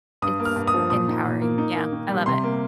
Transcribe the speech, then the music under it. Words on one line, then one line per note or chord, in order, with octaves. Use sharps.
it's empowering, yeah, I love it.
G2 D#6
A#3
F6
G2
D#6
F3
A#2 D#6
D#4
A#2
A#3
D#4
A#3
D#3
G3
C3 C6
A#3